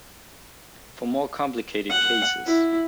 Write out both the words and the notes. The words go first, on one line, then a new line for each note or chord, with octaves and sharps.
For more complicated cases.
F#5
E4